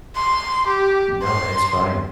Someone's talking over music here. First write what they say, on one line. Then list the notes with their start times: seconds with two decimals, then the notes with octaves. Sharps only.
No, it's fine.
0.16 C6
0.67 G4
1.23 C6